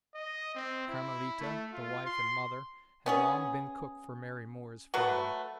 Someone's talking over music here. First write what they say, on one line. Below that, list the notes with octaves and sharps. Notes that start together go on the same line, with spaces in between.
Carmelita, the wife and mother, had long been cook for Mary Moore's father.
D#5
C4
E4
A3
F4
C6
B3 C#4 G#4
F#3 A3 F#4 B4